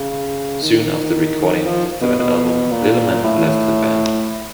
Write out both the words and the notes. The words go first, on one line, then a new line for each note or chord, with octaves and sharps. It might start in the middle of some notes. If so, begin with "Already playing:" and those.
Soon after the recording of the third album Lillman left the band.
Already playing: C#3
D#3
F3
B2
B2
A#2
A2